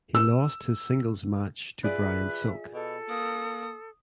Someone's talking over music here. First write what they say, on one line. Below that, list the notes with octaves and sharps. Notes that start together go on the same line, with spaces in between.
He lost his singles match to Bryan Silk.
E6
F4 G#4 B4 D5 E5
B2 A4
A#3 D#6